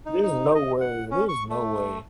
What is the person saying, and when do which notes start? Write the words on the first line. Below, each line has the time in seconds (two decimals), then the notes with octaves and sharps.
There's no way, there's no way.
0.06 D#4
0.22 D#4
0.55 D#5
0.81 F#5
1.11 C#4
1.29 C#6
1.50 A3